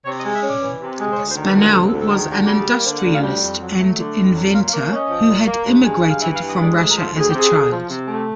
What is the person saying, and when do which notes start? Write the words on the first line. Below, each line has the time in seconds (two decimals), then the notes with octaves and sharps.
Spanel was an industrialist and inventor who had immigrated from Russia as a child.
0.05 C3 C#5
0.20 D#5
0.24 G#3
0.34 E5
0.43 C#4 D5
0.61 E3
0.81 C3
0.99 G#3
1.12 C5
1.18 D2 C#5
1.31 C5
1.36 D#3
1.46 B4
1.55 D2 A#4
1.73 C3 A4
1.87 A4
1.93 D2
2.02 A4
2.11 D#3 G#4
2.30 D2 G4
2.44 G4
2.48 G3
2.58 G#4
2.67 A#3 A#4
2.85 D3 C5
2.99 F#5
3.04 D2
3.13 F5
3.22 G3
3.41 F2
3.60 F#3
3.79 A3
3.98 D3
4.15 F2
4.34 F#3
4.53 A#2 F5
4.67 F5
4.72 A#3
4.81 F5
4.91 C#4 D#5
5.10 F3
5.27 A#2
5.46 A#3
5.65 G2
5.84 G#3
6.02 G2
6.10 F5
6.21 E3 E5
6.35 F5
6.40 G2
6.49 D#5
6.59 G#3 D5
6.76 D2 C5
6.91 A#4
6.95 F3
7.05 A4
7.14 D2 G#4
7.29 C3 G4
7.39 G#4
7.51 D2
7.70 F3
7.89 C3
8.07 A3